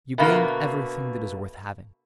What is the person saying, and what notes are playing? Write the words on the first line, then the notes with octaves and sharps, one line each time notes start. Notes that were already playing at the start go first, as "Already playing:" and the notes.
You gain everything that is worth having.
B2 D3 A3 A#3